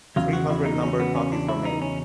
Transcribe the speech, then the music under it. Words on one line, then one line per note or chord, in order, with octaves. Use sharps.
Three hundred numbered copies were made.
E2 C#3 F#3 F4
F#4
E4
D#4
C#4
B3
C#4
D4
E4
D#4
C#4